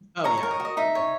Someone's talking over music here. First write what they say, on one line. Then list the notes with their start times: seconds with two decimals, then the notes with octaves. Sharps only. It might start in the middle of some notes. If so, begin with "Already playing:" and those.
Oh yeah, oh yeah.
0.24 C#5 A#5
0.37 C#6
0.43 A#4
0.51 D#5
0.60 F#4
0.65 D#5
0.77 D#4 E5
0.95 C#5